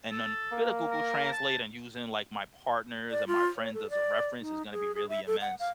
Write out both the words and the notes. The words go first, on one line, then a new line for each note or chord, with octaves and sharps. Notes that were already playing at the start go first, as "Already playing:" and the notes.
and then a bit of Google Translate and using, like, my partners and my friends as a reference is gonna be really immense.
A4
A#3
A#4
A5
D5
F4
C#5
A4
D5
D#4
G#4
G#4
E5
A4
F#5
F5